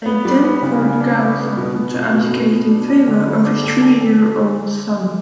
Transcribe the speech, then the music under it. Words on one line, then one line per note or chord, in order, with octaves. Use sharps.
They then forced Gaozong to abdicate in favor of his three year old son.
B3
G3
B3
C#3
C#3
D4
B3
B3
B2
B2
B2
B2
B2
B2
D4
D4
D3
G3
D4
A4
A4
A4